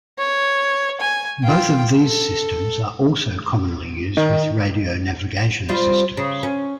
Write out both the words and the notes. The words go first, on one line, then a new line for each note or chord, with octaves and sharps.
Both of these systems are also commonly used with radio navigation systems.
C#5
G#5
F4 G5
A4
D#3 D#4
G3 C4 F4
C#3
C#4